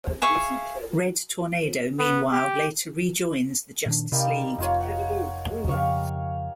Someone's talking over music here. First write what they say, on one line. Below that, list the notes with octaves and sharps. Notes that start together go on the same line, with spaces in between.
Red Tornado meanwhile later rejoins the Justice League.
G#4 E5 F5 C#6
B3
G4
A#2 D#3 D4
C3 G3 A#3 D#4
F1 D#4 F4 C#5
F#5
F2 C#3 G4 F5 C#6